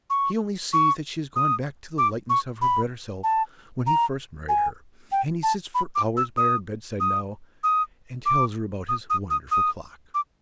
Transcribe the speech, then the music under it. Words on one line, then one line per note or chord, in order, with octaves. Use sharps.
He only sees that she has gone back to the likeness of her better self when he first married her; and he sits for hours by her bedside now, and tells her about his wonderful clock.
C#6
C#6
D#6
D6
C#6
B5
A5
A#5
G#5
G5
A5
B5
D6
E6
D#6
D#6
D#6
D6
D#6
D#6
D#6
D#6
D6